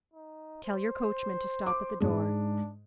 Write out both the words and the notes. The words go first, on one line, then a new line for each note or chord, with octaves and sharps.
"Tell your coachman to stop at the door."
D#4
C5
D6
G#2 G#3 D4